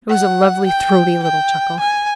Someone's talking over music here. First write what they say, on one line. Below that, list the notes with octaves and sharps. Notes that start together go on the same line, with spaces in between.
It was a lovely throaty little chuckle.
F#5
G5
G5
G#5